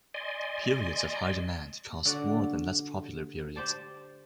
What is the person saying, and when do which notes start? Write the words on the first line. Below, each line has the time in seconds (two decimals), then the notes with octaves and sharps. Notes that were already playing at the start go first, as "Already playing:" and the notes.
Periods of high demand cost more than less popular periods.
0.14 D5 D#5 G#5 C6
2.05 D3 F#4 D5
3.56 G4 C5 D5 A5